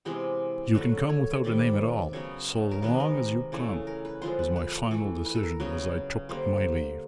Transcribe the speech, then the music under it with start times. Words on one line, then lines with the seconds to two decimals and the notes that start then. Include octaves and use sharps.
"You can come without a name at all, so long as you come," was my final decision as I took my leave.
0.05 C3 E3 G#3 B3 G4
0.75 D3 F#3 A3 B4
1.09 C#5
1.44 C3 D#3 G3 D5
2.13 C#3 F#3 B3 C#5
2.71 A#4
2.82 C3 D#3 G#3 B3 B4
3.00 A#4
3.52 C#3 E3 A3
3.87 A#4
4.05 B4
4.22 D3 F3 G#3 C5
4.39 B4
4.56 B4
4.91 E3 A3
5.25 B4
5.35 A4
5.43 A#4
5.60 C#3 F#3 B3 B4
6.29 D3 G3 A#3 C5